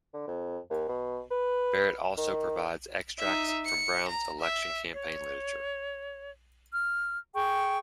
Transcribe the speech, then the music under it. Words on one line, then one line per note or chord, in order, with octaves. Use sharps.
Barrett also provides extracts from Brown's election campaign literature.
D3
F2
D#2
B2
B4
D#3
D#4 E5
C#7
A#5
E5
C#5
F6
G#4 G5 C#6